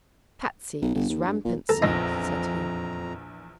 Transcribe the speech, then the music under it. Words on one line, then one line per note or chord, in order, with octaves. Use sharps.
"Patsy is rampant, sir," said he.
B1
G1
D#2
G2
A#2
F2 A4 A#5
A#1 E2 D#4 A#6